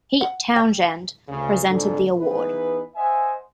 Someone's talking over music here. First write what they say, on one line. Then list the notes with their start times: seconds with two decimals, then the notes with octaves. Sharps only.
Pete Townshend presented the award.
0.21 F#5
0.56 G5
1.28 D2 C#3
1.69 F2 G#2 D3
2.18 E3 B3 D#4 G#4 B4
2.96 C5 D#5 E5 F#5 G#5